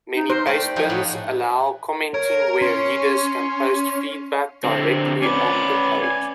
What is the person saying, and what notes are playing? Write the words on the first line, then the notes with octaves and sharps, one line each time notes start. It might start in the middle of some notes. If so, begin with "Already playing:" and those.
Many pastebins allow commenting where readers can post feedback directly on the page.
D#4
A#4 C5
A3 G4 D5 G5
F3 D#4 G#4
A2 F#5
A#4 C#5
C#4 C6
D3 C4
C#4 B4 D5
G#5